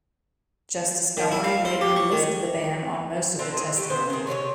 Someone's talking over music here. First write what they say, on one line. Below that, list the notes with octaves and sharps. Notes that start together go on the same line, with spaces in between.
Justice Gomery later lifted the ban on most of the testimony.
D#3
E4
F5
C5
G4
C#6
D#3
D3 C4 C5 A5
G#4
A3 G4
G#3 B3 C5
D#3 G#4
C3 C#4 F4 C#5